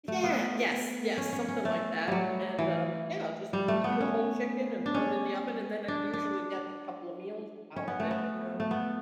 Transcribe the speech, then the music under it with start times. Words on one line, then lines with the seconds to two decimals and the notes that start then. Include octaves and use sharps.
Yeah, yes, yes, something like that, and, um, yeah, I'll just do a whole chicken and throw it in the oven, and then it usually gets a couple of meals out of it, you know,
0.08 A3
0.24 B3
1.18 C#4
1.33 C#4
1.48 C#4
1.65 A3
2.08 F#3 G3
2.59 E3
3.53 G3
3.68 A3
3.84 B3
4.00 C#4
4.86 D4
4.95 C#4
5.88 D4
6.13 D4
7.76 C#4
7.88 B3
8.00 A3
8.11 B3
8.60 A3
8.71 B3